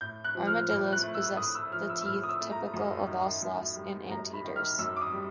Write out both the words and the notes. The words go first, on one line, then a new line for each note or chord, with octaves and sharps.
Armadillos possess the teeth typical of all sloths and anteaters.
A2 G6
F#6
F3
F6
A2 F6
F#6
A3
E6
A2 D#6
E6
F3 F6
E6
E6
A2 F6
D#6
E6
A3
A#5
F#2
D#3
F#2
G3
F#2 A#5
B5
D#3
F6
F#2 E6
D6
D#6
G3